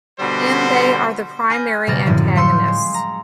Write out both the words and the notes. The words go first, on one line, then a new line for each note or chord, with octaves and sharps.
In they are the primary antagonists.
B2 D3 G3 F#4 C5
G#5 B5 F6 G6 A#6
F#1 B2 G3 F6 A6 A#6
F#2 A2 D3 F3 C4
F#3 F5 C6 E6 G6 C#7
G#3
A#5